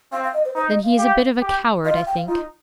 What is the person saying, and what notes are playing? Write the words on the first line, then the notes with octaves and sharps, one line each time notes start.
'Then he is a bit of a coward, I think.'
C4 F5
F5
D#5
C5
D#4 C5
D#5
F5
G4
G4
F4 D#5
F5
G5
F5
D#4 F4